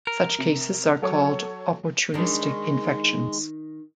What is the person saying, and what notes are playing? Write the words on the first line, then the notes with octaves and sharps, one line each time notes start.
Such cases are called opportunistic infections.
A#4
C3
F#3 A4 C#5
D#3 G#3 D4